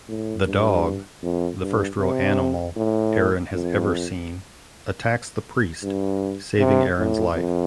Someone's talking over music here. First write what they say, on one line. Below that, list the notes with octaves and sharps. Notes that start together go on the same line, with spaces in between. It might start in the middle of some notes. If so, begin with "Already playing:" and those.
The dog-the first real animal Erin has ever seen-attacks the priest, saving Erin's life.
A2
G2
F2
G2
C3
A2
F2
G2
C3
A2
F2